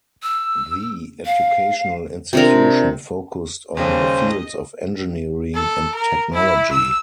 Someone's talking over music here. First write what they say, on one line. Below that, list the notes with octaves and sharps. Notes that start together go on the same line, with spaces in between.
The educational institution focused on the fields of engineering and technology.
E6
F5
C3 D4 F4 A#4
D#2 C#3 G3 A4 C5 D#5
A4
A#4
E4
E6